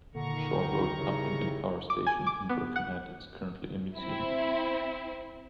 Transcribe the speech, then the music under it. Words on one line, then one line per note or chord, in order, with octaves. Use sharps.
Shore Road pumping and power station in Birkenhead is currently a museum.
A#2 D3 D#3 A#5 C#6
D2 G5
C#3 G3 E4 C#5
D6
G#5
D6
B3
F#5
C4 E4